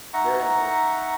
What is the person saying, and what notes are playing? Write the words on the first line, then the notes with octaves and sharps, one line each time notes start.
Very unfortunate.
D#4 E5 F#5 A#5 C#6